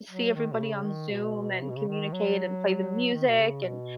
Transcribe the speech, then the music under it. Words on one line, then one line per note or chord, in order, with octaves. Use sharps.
see everybody on Zoom and communicate and play the music, and
F#3
D#3
B2
C#3
D#3
B2
C#3
B2
C#3
D#3
F#3
D#3
B2
C#3
B2